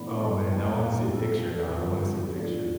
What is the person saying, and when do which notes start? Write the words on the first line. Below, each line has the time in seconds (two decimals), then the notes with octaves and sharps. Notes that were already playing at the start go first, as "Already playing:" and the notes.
Oh, man. I wanna see a picture now. I wanna see a picture.
Already playing: A2 E3 B3 D4 B5
0.21 A5
0.51 E2 C3 E3 G5
0.78 G5
0.83 F5
1.12 A2 F3 C4 A4
1.44 B4
1.74 F2 D3 F3 C4
2.35 A2 F3 B3 D4